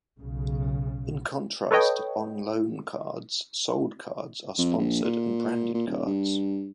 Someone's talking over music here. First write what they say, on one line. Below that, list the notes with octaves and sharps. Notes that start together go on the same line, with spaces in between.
In contrast to On-Loan cards, Sold cards are sponsored and branded cards.
B1 C#3
A4 B4 C#5 D#5 G5
F2
A#1
A#2
A#2
D#1
G2